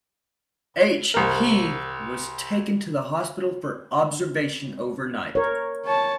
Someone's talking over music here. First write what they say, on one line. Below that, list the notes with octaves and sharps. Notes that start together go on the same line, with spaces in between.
H He was taken to the hospital for observation overnight.
C2 A#4
A#4 C#5
C#5 A5